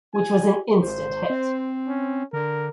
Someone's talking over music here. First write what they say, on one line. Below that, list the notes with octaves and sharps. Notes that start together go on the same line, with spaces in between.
Which was an Instant hit.
G#5
G#1 C5
C4
C#4
D3 A#4